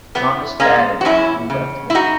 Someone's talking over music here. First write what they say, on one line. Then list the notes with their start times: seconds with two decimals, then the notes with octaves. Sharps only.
Thomas batted and threw left-handed.
0.15 E2 B3
0.60 G#3 A#3 C#4
1.01 F#4
1.05 E2 C#4 E4
1.50 C#3
1.90 E4
1.95 D#4 F#4